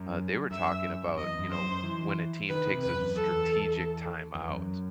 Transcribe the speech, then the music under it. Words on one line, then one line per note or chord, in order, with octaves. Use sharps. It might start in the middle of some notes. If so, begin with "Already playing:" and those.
uh, they were talking about, you know, when a team takes a strategic time out
Already playing: F#2
F#2 E5
F#2
E2 D#5
F#2
C5
F#2
E3
D#3 B4
D#3
C3
E2 B4
F#2
E2 A4
E2
F#2